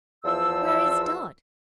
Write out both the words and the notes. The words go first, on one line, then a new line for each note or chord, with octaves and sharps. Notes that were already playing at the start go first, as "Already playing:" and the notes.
"Where is Dot?"
E2 F3 E6